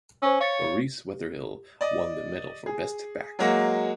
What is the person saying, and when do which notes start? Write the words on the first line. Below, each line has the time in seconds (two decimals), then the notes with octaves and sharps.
Maurice Wetherill won the medal for best back.
0.22 C#4 C5 C#6 E6
0.40 C#5 F5 A6 C#7
1.81 D5 D#5
2.66 G#4
3.39 F#3 G#3 A#3 F#4